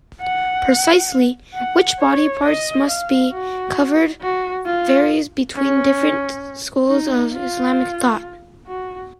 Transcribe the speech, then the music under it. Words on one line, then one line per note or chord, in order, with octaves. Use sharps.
Precisely which body parts must be covered varies between different schools of Islamic thought.
F#5
F#5
C#5
D#5
F5
F#4
F#4
F4
C#4
D#4
F4
F#4